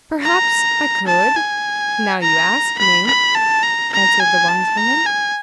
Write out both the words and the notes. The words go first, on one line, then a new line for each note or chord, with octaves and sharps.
"Perhaps I could, now you ask me," answered the wise woman.
A#5
A5
G#5
A#5
B5
B5
A5
A#5
A#5
G#5
A5
A#5
G#5